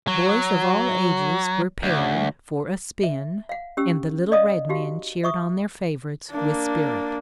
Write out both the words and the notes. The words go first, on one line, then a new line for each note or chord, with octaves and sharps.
Boys of all ages were paired for a "spin," and the little red men cheered on their favorites with spirit.
F#3
D2
E5
F5 F#5
C#4 G4 E6
D5 D#5 F5 D#6
D#4 F#4 G4 F5
E5 C#6 D#6
A#3 D4